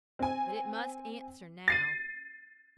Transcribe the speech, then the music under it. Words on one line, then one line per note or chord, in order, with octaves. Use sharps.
But it must answer now.
C4 G#5
A6 C7 D#7